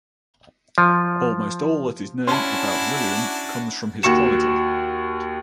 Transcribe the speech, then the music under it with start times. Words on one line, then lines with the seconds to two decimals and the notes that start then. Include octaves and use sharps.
Almost all that is known about William comes from his chronicle.
0.78 F3
2.27 C#4 D4 E4 F#4 A5 C6
4.03 D#2 F#4 C#6 C#7 E7